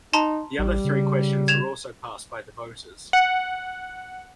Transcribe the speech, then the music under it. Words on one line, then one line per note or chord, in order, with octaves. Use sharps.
The other three questions were also passed by the voters.
D#4 A5 A#5 C6
A1 G3
C#3
G#6 E7 F7
F#5